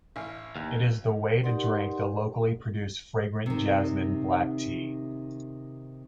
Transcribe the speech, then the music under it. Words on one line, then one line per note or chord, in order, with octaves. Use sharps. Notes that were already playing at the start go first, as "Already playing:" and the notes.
It is the way to drink the locally produced fragrant jasmine black tea.
A1 F5
D#2
D#4 G4 A#4 D5 F#5 C6
C3 D#3